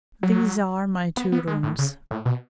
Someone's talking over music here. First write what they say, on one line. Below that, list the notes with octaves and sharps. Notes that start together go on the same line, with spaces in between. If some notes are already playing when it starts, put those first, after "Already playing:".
These are my two rooms.
F#3
B3
B3
G#3
A2
C#3
A2
B2